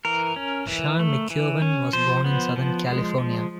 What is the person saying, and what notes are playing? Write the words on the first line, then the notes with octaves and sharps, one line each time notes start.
Sean McKeown was born in Southern California.
E3 A#4
C#4
E3
A3
E3
C#4
F3 C5
B3
F3
G#3
F3